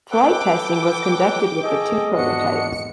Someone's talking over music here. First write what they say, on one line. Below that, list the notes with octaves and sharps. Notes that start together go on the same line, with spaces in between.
Flight testing was conducted with the two prototypes.
A4 B4 F#5 G5 D6
G#4 A4 D#5
G#1 E2 D4 F#4 C#7